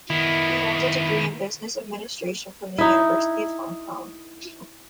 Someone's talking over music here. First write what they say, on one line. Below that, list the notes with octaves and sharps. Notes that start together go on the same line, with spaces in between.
He holds a degree in Business Administration from the University of Hong Kong.
D#3 B3 E4
D#4 E4